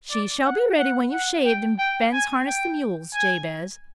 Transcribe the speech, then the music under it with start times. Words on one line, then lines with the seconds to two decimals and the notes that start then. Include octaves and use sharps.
"She shall be ready when you've shaved and Ben's harnessed the mules, Jabez."
0.11 D5
0.45 F#5
0.79 F#5
1.12 F#5
1.45 G5
1.79 G5
2.13 G#5
2.46 G5
3.14 G#5